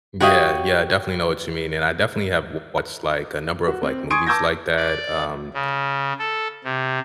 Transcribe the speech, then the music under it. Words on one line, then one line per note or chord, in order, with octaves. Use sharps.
Yeah, yeah, definitely know what you mean, and I definitely have w watched, like, a number of, like, movies like that. Um,
F#4 G4 C#5 D#5 F5
F#4
C4
G#5 C6 C#6 D#6 G#6 D7
A5 D6 E6 G6 G#6 A#6
D5
C#3
A4
C3